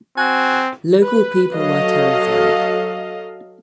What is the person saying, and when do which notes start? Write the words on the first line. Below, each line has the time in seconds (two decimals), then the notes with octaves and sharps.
Local people were terrified.
0.18 C4 F#4 G#5
1.03 B4
1.55 F#3 A4 D#5 F5